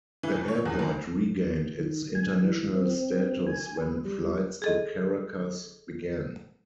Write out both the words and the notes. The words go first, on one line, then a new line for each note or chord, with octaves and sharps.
The airport regained its international status when flights to Caracas began.
E3
F2
C#5
E2
D2
D#3
G#5
E3
C4
G#5
B4
G3
G#4 A4 D#5